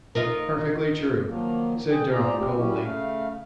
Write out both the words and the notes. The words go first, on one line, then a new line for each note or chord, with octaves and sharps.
"Perfectly true," said Durham, coldly.
D#4 F4 A#4
D#3 F3 F#3 A#3
G#4 G5
G#2 F4 G#4 C5 D5 A#5
C4 G4
F#3 G3 C#4 E4 F#4 G4
C#3 A3 F5